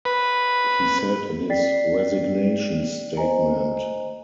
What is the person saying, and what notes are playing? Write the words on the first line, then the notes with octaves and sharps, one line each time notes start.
He said in his resignation statement.
B4
D5 G5 A6 B6 C7
C5 D#5 G#5 A#5